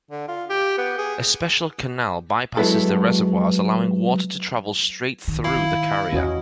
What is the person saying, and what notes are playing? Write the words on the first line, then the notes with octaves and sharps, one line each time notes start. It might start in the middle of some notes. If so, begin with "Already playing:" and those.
A special canal bypasses the reservoirs allowing water to travel straight through the carrier.
D3
F4
G4
B3
G#4
F#3 G#3 B3 E4 A4
D#3
E4 F5
E2 C#4 F#4 D#5